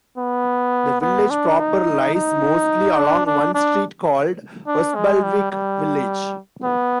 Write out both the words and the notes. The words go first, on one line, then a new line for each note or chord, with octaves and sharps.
The village proper lies mostly along one street called Osbaldwick Village.
B3
B3
D4
D#4
D#4
D4
D4
D4
D4
G#3
G3
G3
B3